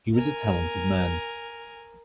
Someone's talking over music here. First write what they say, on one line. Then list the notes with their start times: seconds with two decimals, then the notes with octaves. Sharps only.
He was a talented man.
0.14 A#4 G#5